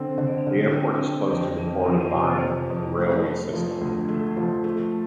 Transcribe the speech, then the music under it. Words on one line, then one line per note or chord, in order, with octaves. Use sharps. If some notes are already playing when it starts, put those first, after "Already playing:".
The airport is close to the Port of Varna and the railway system.
Already playing: D3 C4
D3
D3
C4
C4
F2
F2
F3
C3
F3
F2
A3
A3
F3
D2
A3
F3
A3